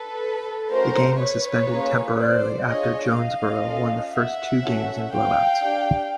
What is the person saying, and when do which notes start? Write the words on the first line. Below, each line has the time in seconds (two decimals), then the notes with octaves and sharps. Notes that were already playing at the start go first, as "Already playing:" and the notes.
The game was suspended temporarily after Jonesboro won the first two games in blowouts.
Already playing: A4 B4
0.70 A3 C#4 F#4 A#4 C5
1.19 B4 C#5
1.68 A#3 C#4 F4 G#4
2.17 C5 D5
2.67 D4 F4 G#4 C#5 D#5
3.15 D#5 F5
3.65 C#4 F4 A4
4.13 E5 F#5
4.63 C#4 F#4 A4
5.12 F5 G5
5.61 D4 G4